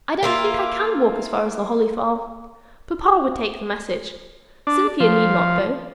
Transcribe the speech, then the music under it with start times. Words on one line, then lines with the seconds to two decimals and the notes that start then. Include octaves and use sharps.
"I don't think I can walk as far as the Holly Farm; papa would take the message; Cynthia need not go."
0.23 A#3 E4 F4
4.67 D4
5.00 F3